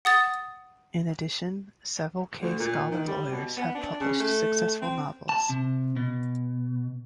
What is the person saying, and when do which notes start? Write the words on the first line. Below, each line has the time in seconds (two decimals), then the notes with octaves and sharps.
In addition, several Kaye Scholer lawyers have published successful novels.
0.05 F#5 D#6 A6
2.41 D2
2.59 A#2
2.91 D#3
3.08 G3
3.32 B2
3.57 B3
3.75 D4
4.00 C#3
4.20 A3
4.82 C4
5.29 A5
5.49 C3
5.96 B2